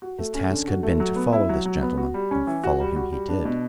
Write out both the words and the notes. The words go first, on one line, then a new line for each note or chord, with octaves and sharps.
His task had been to follow this gentleman, and follow him he did.
F#4
A3
C#4
D3
F#4
A3
F#3
B3
E4
F#3
F#3
B3
F#4
G3
C#4
E3
F#4
G3
F#4
G3
D4
B2